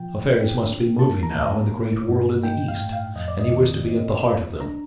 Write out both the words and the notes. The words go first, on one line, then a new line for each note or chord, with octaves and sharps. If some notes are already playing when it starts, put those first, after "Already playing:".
Affairs must be moving now in the great world in the east, and he wished to be at the heart of them.
Already playing: A#2 F3 G5
C4
D3
A#3 A5
A#5
A2
A#3
G2
D#4 G5
F5
A2
F5
F2 D#5
D5
D#5
D#3
C4
A#2
D4 A#5